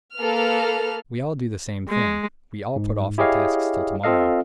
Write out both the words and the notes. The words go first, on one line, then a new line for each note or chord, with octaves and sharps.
We all do the same thing,--we all put off our tasks till to-morrow.
A#3 A4 B4 F6
G#3
G#2
E4 G4 G#4 C#5 D#5 F5
C4 F4 A4 D#5 F5